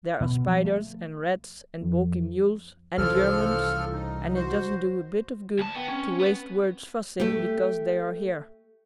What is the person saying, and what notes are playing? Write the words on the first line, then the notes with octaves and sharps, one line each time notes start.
There are spiders, and rats, and balky mules, and Germans, and it doesn't do a bit of good to waste words fussing because they are here.
B2
F3
A3
F2
C2 C#3 E3 F3 A4 F6
D#4
F#4 C5
D2 A5
B3 G5
C4 C#4
B3
A3 G4